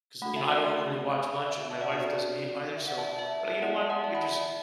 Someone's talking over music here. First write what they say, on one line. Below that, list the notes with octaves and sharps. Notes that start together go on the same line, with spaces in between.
'cause, you know, I don't really watch much and my wife doesn't ei either. So but, you know what? We just
A3 D4 F#4 A4 F#5 B5
E5 A5
D5 F#5
E5
E5 A5
D5 F#5
D4 F#4 A4 D5
E5
D5 F#5
E5 A5
E5 A5
E5 A5
E5 A5
E5 A5
B3 E4 A4 D5 F#5
E5
D5 F#5
E5 A5
F#5 B5
E5 A5
D5